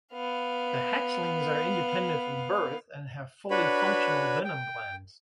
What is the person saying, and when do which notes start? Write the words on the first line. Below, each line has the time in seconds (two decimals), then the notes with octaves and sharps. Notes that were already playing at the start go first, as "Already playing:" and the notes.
The hatchlings are independent from birth and have fully functional venom glands.
0.13 B3 F5
3.50 D4 F#4 B4 C#5 B5
4.44 G5